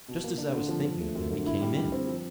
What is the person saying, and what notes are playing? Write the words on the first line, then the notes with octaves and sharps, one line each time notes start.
Just as I was thinking of him he came in.
B2
A#3
D4
D3
F3
F3
A3
F#2
D3
E4
G3
G3
C4
F3